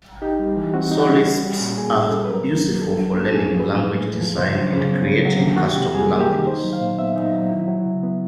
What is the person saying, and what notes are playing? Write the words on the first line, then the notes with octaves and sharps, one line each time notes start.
So Lisps are useful for learning language design, and creating custom languages.
D#4 G4
G3
E3
C4 F#4
D#4
F#4
G3
C#4
G3
A#2
A#3 G#4
C#4
A4
G3
B4
F#3 A#4
A#3
F#3
D4 A4
F#3
A#3
A4
A2 G#4
F3
B4
A2
A3
A2
F3
C#3 C5
F#3
C#3
B3
C#3
F#3
A#3
D#3 F#4
G4
C3
G3 G#4
A#3
G4
D#3
D#4 C5
F#3
F5
A#2
B3 E5
D#4
F#3
E4
F#3
C#3
B3